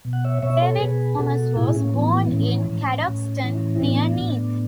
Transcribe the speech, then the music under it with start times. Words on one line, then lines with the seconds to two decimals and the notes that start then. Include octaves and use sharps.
David Thomas was born in Cadoxton, near Neath.
0.05 B2
0.13 F#5
0.24 C#5 E5
0.43 B2 C#5 E5
0.61 A4 C#5
0.80 B2 G#4 B4
1.18 B2 F#4 A4
1.56 A2 E4 G#4
1.75 C#4
1.94 E3 B3
2.13 B3
2.25 B3
2.32 A2 C#4
2.70 A2
3.07 A2
3.44 E3
3.76 E4
3.82 A2 B3 D4
4.20 A2